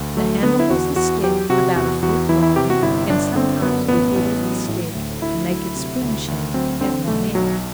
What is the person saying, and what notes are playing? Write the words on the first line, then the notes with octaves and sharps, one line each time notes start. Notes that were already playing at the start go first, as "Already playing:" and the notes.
The handle was a stick about a foot long and sometimes we whittled the stick to make it spoon-shaped at one end.
Already playing: D2
F#3 A3
D3 B3
E4
E2 F#4
E2 F#4
F#3 G4
C3 F#4
E2 F#4
E2 F#4
E3 E4
E4
C3 G4
F#4
G1 E4
G1 D4
D3 C4
F#2 B3
A1 B3
A1
F#3
A2
D2
D2 E4
F#3
C3
D2
D2
F#3 C4
D3 C4
B1 A3
B1 F#3